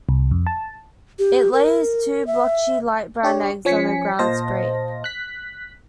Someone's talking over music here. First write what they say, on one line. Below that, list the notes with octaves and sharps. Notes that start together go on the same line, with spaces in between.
It lays two blotchy light brown eggs on a ground scrape.
C2
F2
A5
G4
A#4
E5
D4 G4 C#5
F3 C#4 G#5 B6 C#7
A#2 C5 D#5 F5 A5 A#6
F#6 B6